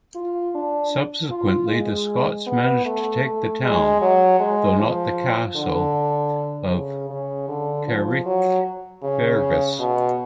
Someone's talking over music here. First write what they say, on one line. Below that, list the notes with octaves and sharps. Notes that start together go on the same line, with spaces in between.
Subsequently, the Scots managed to take the town, though not the castle, of Carrickfergus.
F4
D4
F4
G#3
B3
A3
A3
G#3
F#3
G#3
F3
D3
C#3
C#3
D3
F3
F#3
C#3
B2